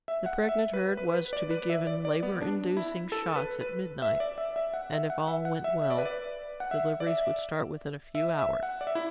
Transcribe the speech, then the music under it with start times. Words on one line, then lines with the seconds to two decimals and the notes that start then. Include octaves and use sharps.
The pregnant herd was to be given labor-inducing shots at midnight, and, if all went well, deliveries would start within a few hours.
0.08 E5
0.26 F#5
0.49 E5
0.74 B4
0.97 B4
1.15 B4
1.33 D5
1.51 B4
1.70 E5
1.87 D5
2.05 D5
2.23 B3
2.41 D4
2.77 E4
3.12 A4
3.36 B4
3.61 B4
4.02 E5
4.20 D5
4.38 E5
4.56 E5
4.74 F#5
4.92 E5
5.10 F#5
5.28 E5
5.45 F#5
5.64 E5
5.82 E5
5.90 D5
5.98 B4
6.05 D5
6.60 F#5
6.71 E5
7.00 D5
7.07 E5
8.15 E5
8.39 E5
8.63 F#5
8.81 D5
8.87 E5
8.95 E4